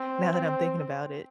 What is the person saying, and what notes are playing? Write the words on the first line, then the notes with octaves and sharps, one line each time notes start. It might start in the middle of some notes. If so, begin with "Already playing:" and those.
Now that I'm thinking about it.
Already playing: C4
C4